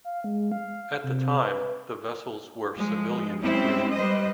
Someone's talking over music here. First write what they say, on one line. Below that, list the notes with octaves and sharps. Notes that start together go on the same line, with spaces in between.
At the time the vessels were civilian crewed.
F5
G#3
F5
F5
C3
B4
F3 G#3
G3 G#3 C4 C#4 E4
G3 B4 C5 D#5